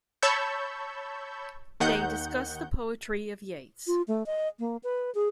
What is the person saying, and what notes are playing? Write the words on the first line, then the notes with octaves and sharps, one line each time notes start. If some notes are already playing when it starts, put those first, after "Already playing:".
They discuss the poetry of Yeats.
C#5 A5 B5 C#6 E6 G6
D#2 D#3 F#5 G6
F4
A3
D#5
A#3
B4
G#4